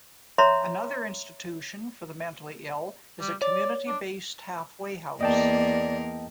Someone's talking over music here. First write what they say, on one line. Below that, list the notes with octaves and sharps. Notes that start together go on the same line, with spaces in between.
Another institution for the mentally ill is a community-based halfway house.
C#5 E5 A#5 C6
G3
C#5 D5
D4
E2 A#3 A#4 D5 D#5 G5 A5